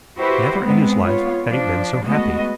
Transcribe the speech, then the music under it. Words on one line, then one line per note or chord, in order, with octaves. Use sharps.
Never in his life had he been so happy.
E4 F#4 G4 B4 C5
G#2 G#3 B3 C4
B3 F4 C#5
F3 D4
G#3 A3 B3 F#4 D#5